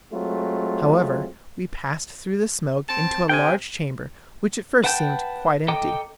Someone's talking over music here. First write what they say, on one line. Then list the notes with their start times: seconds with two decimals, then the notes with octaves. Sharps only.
However, we passed through the smoke into a large chamber, which at first seemed quite empty.
0.13 F#3 G#3 A3 C4 F4
2.88 C4 A5
3.29 C3 G5 G#5
4.84 B4 F#5 G5 A5 G6
5.68 A4 D#5 G5 A#5 D6